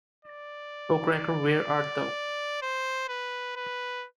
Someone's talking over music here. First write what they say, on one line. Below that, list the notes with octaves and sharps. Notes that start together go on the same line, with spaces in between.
O' Cracker Where Art Thou?
D5
C5
B4
B4